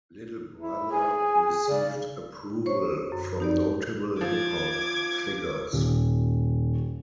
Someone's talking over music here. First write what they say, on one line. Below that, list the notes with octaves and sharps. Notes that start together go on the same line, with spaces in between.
Little Brother received approval from notable hip hop figures.
E4
G#4 G#5
C#3 D5
C5 C#5 C#6
F#2
D#4 G4 D5
F3 D6 G#6
D#1